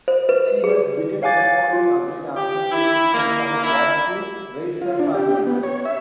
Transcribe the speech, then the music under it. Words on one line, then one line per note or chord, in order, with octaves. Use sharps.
She has begun performing again after taking some time off to raise her family.
C5
B4
G#4
C#5 F5 F#5 G#5 D6 A6
F4
G4
E4
A#3
E4
F4
D4
G4
B3
C#5
E5